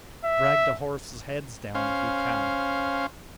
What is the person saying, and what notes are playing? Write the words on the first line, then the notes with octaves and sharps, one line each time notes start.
Drag the horses' heads down, if you can!
E5
C#4 C5 F5